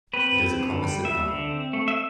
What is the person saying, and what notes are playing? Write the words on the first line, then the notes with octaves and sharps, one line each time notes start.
It is a composite number.
C4 B4
C4
D3
G3
G3 E5
D3
C4
A3
E5